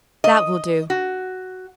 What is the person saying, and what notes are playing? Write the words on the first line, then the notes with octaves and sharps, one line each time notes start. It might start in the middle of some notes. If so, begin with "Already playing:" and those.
That will do.
D#5
F#4